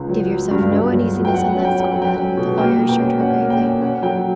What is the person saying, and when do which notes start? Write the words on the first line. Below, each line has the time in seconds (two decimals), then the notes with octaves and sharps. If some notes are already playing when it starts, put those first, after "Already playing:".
"Give yourself no uneasiness on that score, madam," the lawyer assured her gravely.
Already playing: C#2
0.09 F#3
0.30 F#3
0.51 G2
0.71 G2
0.92 F#3
1.13 B3
1.25 G5
1.34 F#3 F#5
1.49 F#5
1.54 C#4
1.65 G5
1.75 C#4
1.80 G5
1.91 F#3 F#5
2.02 G5
2.17 C#4
2.37 B2
2.58 A#3 G5
2.79 B2
2.89 G5
2.99 C#4
3.20 C#4 F#5
3.40 A#3
3.50 G5
3.61 C#4
3.82 C#4 F#5
4.02 F#3 G5